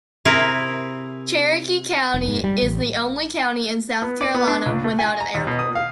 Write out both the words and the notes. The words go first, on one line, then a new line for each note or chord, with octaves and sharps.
Cherokee County is the only county in South Carolina without an airport.
C3 C4 E4 G#4 A#4
F1
G#2
G3
A1
B3
D5
B3
D4
C#2
A3
G#5
A#5
D#2
B2
D#6
F5